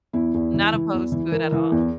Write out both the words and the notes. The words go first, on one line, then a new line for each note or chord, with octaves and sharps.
Not opposed to it at all.
E2 E4
E2
E3
E3
E2
E3
E3 A#4
E3
E2